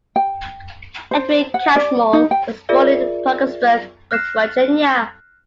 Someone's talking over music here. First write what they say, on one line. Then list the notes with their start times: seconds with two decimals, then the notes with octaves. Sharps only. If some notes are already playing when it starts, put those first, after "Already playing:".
Edwin Catmull was born in Parkersburg, West Virginia.
0.16 G5
1.11 C5
1.54 F#5
1.76 D5
2.13 D#4
2.31 G5
2.69 F4 G#4 A#4 D5 E5
4.11 F6 F#6 A#6 C7 E7